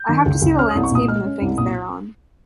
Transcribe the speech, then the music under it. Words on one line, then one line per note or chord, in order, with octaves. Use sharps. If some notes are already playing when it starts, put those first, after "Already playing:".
I have to see the landscape and the things thereon.
Already playing: G6
D#3
C#2
C#2
C#4 F6
D#6
C2
C#6
A#2 D#6
G#3 F6
C#4
C2
A#2 D#6